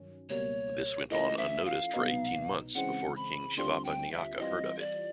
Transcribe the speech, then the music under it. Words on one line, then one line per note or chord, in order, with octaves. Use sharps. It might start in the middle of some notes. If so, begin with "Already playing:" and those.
This went on unnoticed for eighteen months before King Shivappa Nayaka heard of it.
Already playing: G2 D#3 F#3 C#4
C#2 B2 G3 A#3 C#5
E3 A3 C#4 F4 D#5
E5
F5
C2 B2 F#3 B3 D#4
C#3 E3 G#3 C4 F#5
B5
D2 D3 G3 C4 F4 C6
G5
E5
E3 G3 C4 F4 D#5
D5